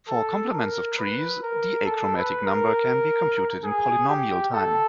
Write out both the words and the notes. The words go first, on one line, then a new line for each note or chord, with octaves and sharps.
For complements of trees, the achromatic number can be computed in polynomial time.
A4
A#4
B4
A#4
A4
B4
A#4
G#4
G4
A4